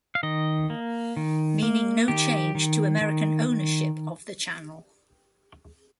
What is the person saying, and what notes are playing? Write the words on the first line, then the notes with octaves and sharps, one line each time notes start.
Meaning no change to American ownership of the channel.
F5
D#3 D#5
A#3
D#3
A#3
D#3 G4
D#3
D#3